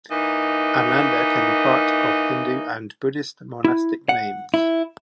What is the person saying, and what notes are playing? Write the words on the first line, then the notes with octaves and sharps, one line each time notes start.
Ananda can be part of Hindu and Buddhist monastic names.
E3 A#3 D#4
E4
F#5
E4